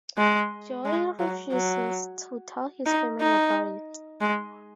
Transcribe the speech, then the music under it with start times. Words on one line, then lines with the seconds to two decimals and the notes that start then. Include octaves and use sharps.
Joey refuses to tell his family about it.
0.18 G#3
0.85 G#3
1.19 F#3
1.52 F#3
2.86 D#4
3.21 D#4
4.21 G#3